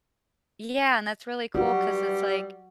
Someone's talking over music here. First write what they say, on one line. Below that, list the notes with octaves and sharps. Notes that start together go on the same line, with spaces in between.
Yeah, and that's really cool 'cause it's like
G3 F#4